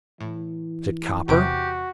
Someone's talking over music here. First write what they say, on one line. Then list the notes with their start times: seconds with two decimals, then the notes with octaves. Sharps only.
"Is it copper?"
0.21 A2 E3
1.28 E2 C3 F#4 G4 D7